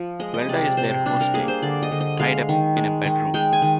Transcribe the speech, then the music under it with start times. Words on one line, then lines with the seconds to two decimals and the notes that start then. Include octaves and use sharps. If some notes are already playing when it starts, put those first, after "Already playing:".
Velda is their hostage, tied up in a bedroom.
Already playing: F3
0.19 G#3 D#5
0.34 D#5
0.49 C3 D5
0.77 C3 C5
1.06 G3 D4
1.21 A#4
1.34 A#3 G#4
1.48 C5
1.62 D3 D5
1.82 D#5
1.92 D3
2.01 D#5
2.20 G#3 F5
2.49 D#3
2.76 G#3
3.06 D#3
3.34 G#3 G5
3.53 G#5
3.62 D#3